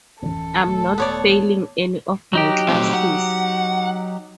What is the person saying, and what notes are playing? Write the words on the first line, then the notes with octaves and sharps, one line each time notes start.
I'm not failing any of my classes.
D1 E3 C#4 A4
D#1 A3
B3 C#5 D5
F#3 D#4 G4
A#2 A3 C4
F#5